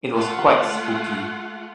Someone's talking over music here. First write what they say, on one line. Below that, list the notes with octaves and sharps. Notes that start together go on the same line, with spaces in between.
It was quite spooky.
A3 F4 F5 F#5